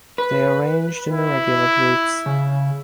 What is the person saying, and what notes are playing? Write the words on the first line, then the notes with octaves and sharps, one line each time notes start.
They are arranged in irregular groups.
B4
E4
C#3